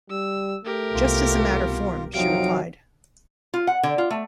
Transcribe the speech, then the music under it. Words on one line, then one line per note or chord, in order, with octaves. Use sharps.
'Just as a matter of form,’ she replied.
G3 E6
A3 G4 A#4
C2 B2 B3 F4
F2 C3 F3 F#3 D#4 F5 D7
F4
F#5
D3
F4
A3